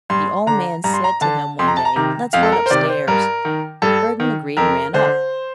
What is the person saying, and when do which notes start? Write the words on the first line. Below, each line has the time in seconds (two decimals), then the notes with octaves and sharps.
The old man said to him, one day: 'Let's run up-stairs.' Bergmann agreed and ran up.
0.10 G2 C6
0.47 D3 A#5
0.84 G2 A#5
0.93 C6
1.04 A#5
1.21 D3 A5
1.59 F2 C6
1.68 A#5
1.77 A5
1.85 A#5
1.96 C3 D#3 A#5
2.33 F2 F5
2.43 A4
2.52 A#4
2.66 C5
2.70 C3 D#3 D5
2.89 C5
3.07 G2 A#4
3.45 D#3
3.82 G2 A4
4.20 D#3
4.57 F2 A#4
4.94 D3 C5